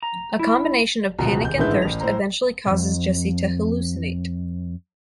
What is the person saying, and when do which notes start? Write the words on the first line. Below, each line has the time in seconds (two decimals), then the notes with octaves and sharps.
A combination of panic and thirst eventually causes Jessie to hallucinate.
0.03 A#5
0.39 E4
1.19 D1 C#2 B2 F3 A#5
1.43 D#1 G6
1.58 A1 G#2 D3 E4 B4 G6
1.82 A1 F7
2.00 A2 C5 A#5
2.66 B1 F2